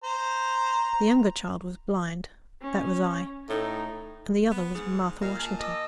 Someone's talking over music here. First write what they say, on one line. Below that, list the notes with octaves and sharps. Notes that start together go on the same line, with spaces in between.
The younger child was blind--that was I--and the other was Martha Washington.
C5 A#5
C#4
A2 D#4
B3
G#2 G#4
A#2 D#5 F5
A#2 G#5 A5
D#5 A5 D6 E6